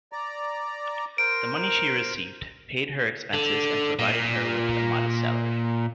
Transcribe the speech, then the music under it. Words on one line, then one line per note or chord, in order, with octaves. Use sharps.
The money she received paid her expenses and provided her with a modest salary.
D5 A#5
A#4 C5 D7
D3
A#2